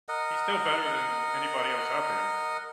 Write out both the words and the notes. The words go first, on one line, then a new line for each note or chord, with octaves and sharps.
He's still better than anybody else out there,
A#4 D#5 F#5